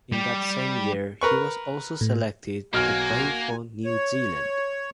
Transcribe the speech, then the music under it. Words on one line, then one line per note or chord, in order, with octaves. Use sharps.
In that same year he was also selected to play for New Zealand.
G3
A#4 B4 C#6
A2
B1 A#3 F#4 G#5 F6
C#5